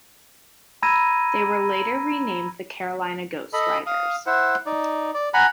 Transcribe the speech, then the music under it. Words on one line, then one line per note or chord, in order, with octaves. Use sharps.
They were later renamed the Carolina Ghostriders.
A#5 B5 E6 G#6 A#6 D#7
A4 D#5 B5
F5 D#6
E4 C5 F#5
D#4 D5
D5
F#5 G#5 A#5 B5